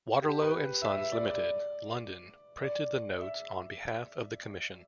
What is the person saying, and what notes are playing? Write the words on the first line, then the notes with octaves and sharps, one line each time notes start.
Waterlow and Sons, Limited, London printed the notes on behalf of the commission.
G4
B4
E5
E5
D5
D5
D5
E5